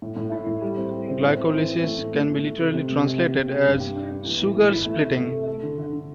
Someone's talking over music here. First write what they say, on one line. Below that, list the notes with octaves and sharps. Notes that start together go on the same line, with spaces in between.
Glycolysis can be literally translated as "sugar splitting".
A2
A2
E4
A2
G3
C4
G3
C4
A2
C4
E3
C4
A3
A2
A3
A3
A3
C3
C3
C3
G4
G4
C3
G4
G2
G4
D4
G2
E3
A2
A2
E4
A3
C3
A3
A4
A4
D3
D3
D3